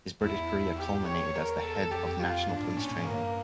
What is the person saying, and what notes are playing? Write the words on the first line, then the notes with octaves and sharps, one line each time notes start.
His British career culminated as the Head of National Police Training.
E2 E4
G4
C#5
A#4
A4
F2 G4
F4
G2 D4
A2
A#2 C#4
A2
G2 A#3